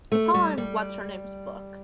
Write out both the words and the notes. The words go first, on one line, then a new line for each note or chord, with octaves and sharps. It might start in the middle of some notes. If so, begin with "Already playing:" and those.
It's all in what's-her-name's book.
A3
G3
G3